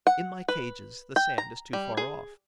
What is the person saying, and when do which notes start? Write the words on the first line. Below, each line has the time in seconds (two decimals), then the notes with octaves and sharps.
In my cages, the sand is too far off.
0.07 F#5
0.48 B4
1.16 G5
1.38 A#5
1.73 G3
1.97 G#4